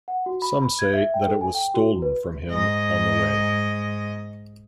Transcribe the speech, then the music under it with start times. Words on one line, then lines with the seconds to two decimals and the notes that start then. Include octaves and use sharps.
Some say that it was stolen from him on the way.
0.08 F#5
0.26 F#4
0.42 B5
0.79 G#6
0.93 E5
1.14 G5
1.28 A4
1.41 G#5
1.55 G5
1.74 F#4
2.02 B4
2.47 G#2 D#5